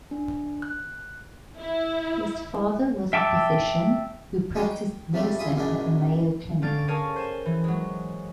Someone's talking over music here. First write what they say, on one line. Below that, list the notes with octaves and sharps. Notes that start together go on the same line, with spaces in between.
His father was a physician who practiced medicine at the Mayo Clinic.
D4
F#6
E4
E5 G5 A5 D6 E6
G3 G#3 C#4 D#4 F#4 G#4
G5
C3 F3 G3 A3 C4
E4 F4 G#4 E5 C6 D#6
F#2 A#2 C#3 E3 G#3 D4
D3 C#4 F5 A6 D7
G#4 A#4 C#5 F5 G#5 A5
C5 G#5 E7
E3
F#3 G#3